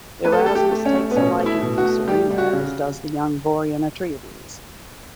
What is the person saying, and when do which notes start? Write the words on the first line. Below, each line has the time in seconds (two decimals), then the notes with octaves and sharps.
Erasmus takes a liking to Serena, as does the young Vorian Atreides.
0.25 A3 B4
0.32 A4
0.39 G4
0.46 A3 A4
0.55 G4
0.71 A3
0.85 C#4
0.93 A3
1.11 B3
1.16 B2 C#4
1.38 A3
1.46 E4
1.62 B2
1.78 F#4
1.84 A3
2.07 G3 G4
2.30 G3
2.38 F#4
2.53 C#3